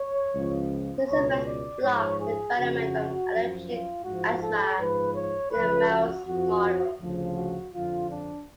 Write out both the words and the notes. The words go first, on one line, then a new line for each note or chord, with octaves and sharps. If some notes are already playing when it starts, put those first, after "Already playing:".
These effects block the development of allergic asthma in a mouse model.
Already playing: C#5
C#2 C#3 F3
C#2 B2 C#5
D5
G#2 F3 C#5
G#4
F2 C#3 F3 F#4
F#2 F3
F4
G#2 F3 F#4
A4
G#2 F3 B4
C#5
C#2 C#3 F3 B4
F#4
F2 F3 F#4
D2 C#3 F3
F#4
F2 D3 F3 F4
D4